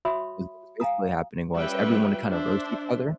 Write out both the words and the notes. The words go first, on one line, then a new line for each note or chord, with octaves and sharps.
because what was basically happening was everyone would kinda roast each other?
F#4 C#5 E5 B5 C6 D#6
F5 G#5 A#5 D#6
G3 C#4 F4 B4 E5 G5
D4 C5 E5